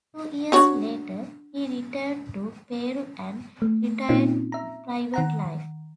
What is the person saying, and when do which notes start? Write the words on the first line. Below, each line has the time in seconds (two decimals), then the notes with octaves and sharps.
Two years later he returned to Peru and retired to private life.
0.52 D4 F#4 C#5
3.62 A3
4.09 A#2 A#3 C4 C#4 D#4 F4
4.52 E5 A#5
5.14 D#3 F#5 A#5